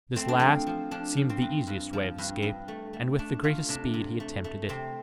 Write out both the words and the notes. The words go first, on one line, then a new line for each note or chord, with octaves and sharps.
This last seemed the easiest way of escape, and with the greatest speed he attempted it.
A3 C4
D4
F3 C4
F3
F3 D4
F3
C4
G2
G2
F3
G2
G2
A3
A3
A3 D4
A3 F4
C3 D4
C3
A3
A3
C3 C4